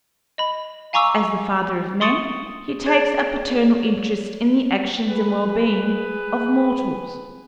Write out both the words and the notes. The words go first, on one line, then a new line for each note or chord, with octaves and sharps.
As the father of men, he takes a paternal interest in the actions and well-being of mortals.
D#5 B5
F5 G#5 A#5 C#6 D6 E6
C6 C#6 D#6 A6 C#7
G#4 C#5 D5 G#6 A6 E7
G#4 B4